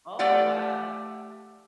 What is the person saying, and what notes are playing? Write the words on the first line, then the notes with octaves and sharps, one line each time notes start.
Oh, wow.
A3 G4 D5 F5 F#5